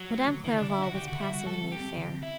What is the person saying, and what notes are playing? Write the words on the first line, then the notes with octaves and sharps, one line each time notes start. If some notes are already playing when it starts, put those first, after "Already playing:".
Madame Clairval was passive in the affair.
Already playing: F#3
A3
D3
D3 E3
D4
D3
E4
D4 F#4
D3 G4
D3 F#4
E4
G3 F#4
G3 A4
C4
G4
C4
D3
C4
E4